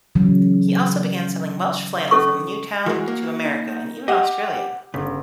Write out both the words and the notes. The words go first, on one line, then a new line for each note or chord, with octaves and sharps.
He also began selling Welsh flannel from Newtown to America and even Australia.
C#3 E3 F#3
C#4 A4 C#6
E3 G#3 F#4 A#4
A#3
D#4
G4 D#5 F#5
G1 C#3